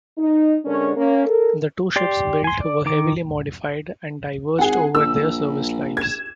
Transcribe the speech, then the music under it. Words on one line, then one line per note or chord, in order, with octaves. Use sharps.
The two ships built were heavily modified and diverged over their service lives.
D#4
D3 G#3 C#4 D4 A#4 C#5
A#3 C#4
A4 A#4
G4 D5 C6
G#5 C6
D5
D#3 D6
G#1 G#4 F#5
A#1 E6
G#6 E7